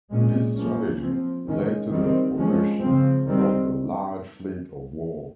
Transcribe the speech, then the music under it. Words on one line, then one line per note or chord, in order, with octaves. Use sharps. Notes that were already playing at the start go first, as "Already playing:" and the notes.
This strategy led to the formation of a large fleet of war.
A#2 G#3 C#4
F3 A#3 C#4
F3 C4
D#3 G#3 C#4
D#3 G3 C4
F3 G#3 C#4
C#3 F3 C4
D#3 G3 C4